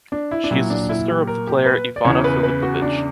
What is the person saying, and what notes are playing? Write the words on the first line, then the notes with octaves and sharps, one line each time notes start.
She is the sister of the player Ivana Filipović.
D4
E4
D4
A#2 F#3 E4
D4
E4
G4
A#4
G4
B4
D5
E2 C#3 E3 C#5
B4
B4
F#4
D4